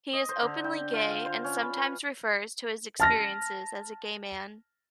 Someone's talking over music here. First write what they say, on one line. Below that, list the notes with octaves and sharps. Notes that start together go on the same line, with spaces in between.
He is openly gay and sometimes refers to his experiences as a gay man.
D#5
C5
D3
G5
F4
F5
C5
C#4
B5
B4
A5 F6 A#6